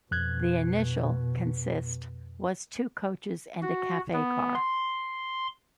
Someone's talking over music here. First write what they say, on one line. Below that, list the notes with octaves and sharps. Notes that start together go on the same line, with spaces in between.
The initial consist was two coaches and a cafe car.
F2 B2 F#6 G#6
F#4
B3
C6